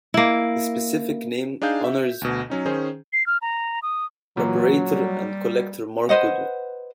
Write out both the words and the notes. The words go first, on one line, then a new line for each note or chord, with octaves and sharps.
The specific name honours preparator and collector Mark Goodwin.
A#3 E4
D4 D#4 G#4 F5 G6
E5
D2 B2
F#3 C#4 D#4
D#3 C#4 G#4 C5
C7
F6
A#5
D#6
A#2 E3 F#3
G3
B4 C5 D#5 F#5